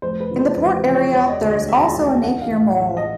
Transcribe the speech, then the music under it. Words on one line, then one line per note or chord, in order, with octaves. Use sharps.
In the port area, there is also a Napier Mole.
F1 C5
B4
F2 C#3 E3
C5
F1 B4
C5
F2 C#3 E3
C#5
E1 C#5
D#5
D5
D2 D3
D#5
E1 E5
A5
D2 D3
A5
A1 F#5
F5
A2 E3
F5
A1 E5
D#5